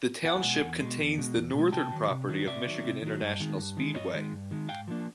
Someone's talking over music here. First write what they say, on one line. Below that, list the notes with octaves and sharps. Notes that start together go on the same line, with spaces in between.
The township contains the northern property of Michigan International Speedway.
E2 F#5 G#5
B2 G#3
E2
B2 G#3
E2
B2 G#3
E2
B2 G#3
C3 G5 A5
D#3 F#3
C3
D#3 F#3
C3 D5 E5
D#3 F#3
C3
D#3 F#3
G2
D#3 G#3
G2
D#3 G#3
G2 C#5 D#5
D#3 G#3
G2
D#3 G#3
G#2 F5 G5
F3 A#3 D4